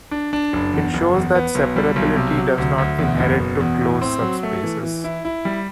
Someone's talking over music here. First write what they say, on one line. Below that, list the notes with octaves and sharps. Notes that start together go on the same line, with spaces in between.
It shows that separability does not inherit to closed subspaces.
D4
D4
F#1
E2
F#1
E2
B3
B1
G3
B1
C3
F#3
D2
D2
E2
F#1
B2
E2
A2
C4
F#3
A3
E3
E3
E4
E4
G3